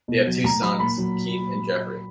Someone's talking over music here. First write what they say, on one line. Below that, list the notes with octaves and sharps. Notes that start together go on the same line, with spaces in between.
They have two sons, Keith and Geoffrey.
B2
F#3
A2 A#5
F#3 B5
A#2 B5
F#3